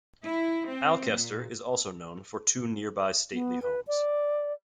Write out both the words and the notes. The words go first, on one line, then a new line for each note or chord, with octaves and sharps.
Alcester is also known for two nearby stately homes.
E4
C4
A#2
B3
B4
D5